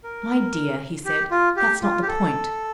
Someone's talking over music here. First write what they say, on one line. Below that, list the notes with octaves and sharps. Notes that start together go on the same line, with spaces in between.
'My dear,' he said, 'that's not the point.
A#4
G4
F4
G4
F4
G4
A4